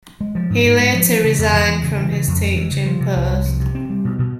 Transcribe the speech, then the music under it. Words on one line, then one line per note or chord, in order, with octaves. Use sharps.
He later resigned from his teaching post.
G#3
F3
G#2
G#2
G#3
F3
E3
C#3
E2
E2
E3
C#3
E3
C#3
F2
G#3
E3
C#3
F3
C3
C2
C2
F3
C3
C4
G3
B2
B2